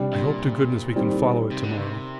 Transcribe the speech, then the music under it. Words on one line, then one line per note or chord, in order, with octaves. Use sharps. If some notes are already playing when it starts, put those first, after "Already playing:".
I hope to goodness we can follow it to-morrow.
Already playing: C3 G3 D4
A#2
D#3 G3 C4
C3
D3
C3